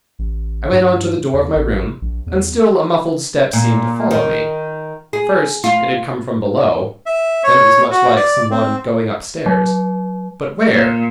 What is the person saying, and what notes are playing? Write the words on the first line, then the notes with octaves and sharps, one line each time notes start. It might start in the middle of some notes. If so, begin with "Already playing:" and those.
I went on to the door of my room, and still a muffled step seemed to follow me,—first it had come from below, then it was much like some one going up stairs,—but where?
A1
G2
E2
A1
A#1
E2
A#2
D#3
G#4
F4
E5
C#5
F#4
D5
C4
F#3
A#2